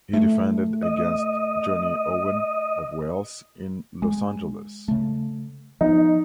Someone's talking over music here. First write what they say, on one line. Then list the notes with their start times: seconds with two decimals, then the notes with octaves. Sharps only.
He defended against Johnny Owen of Wales in Los Angeles.
0.14 A3
0.82 D#5
4.02 G#3
4.88 C#3 A3
5.81 F3 B3 D#4